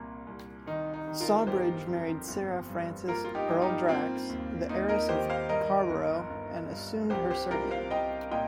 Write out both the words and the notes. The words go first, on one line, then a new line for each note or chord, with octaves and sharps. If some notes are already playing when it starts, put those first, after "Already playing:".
Sawbridge married Sarah Frances Erle-Drax, the heiress of Charborough, and assumed her surname.
Already playing: C2 A#2 A#3
C2
D#3 D#4
D#4
D#3
F4 A#4
G1 G4 C5
F2
G1
G2
A#3 F4 A#4
F4
D#4 G4
G2
D#4 G4
A#3 C4 F4
D#2
D#2 D#4
A#4 D#5
D#3 G4 C5
C5 F5
G2 A#4 D#5
G1
G1
G2
C2 G4 C5
G4 C5
C2 F4 A#4
C5 F5
C2 D#5 G5
A#2 D#5 G5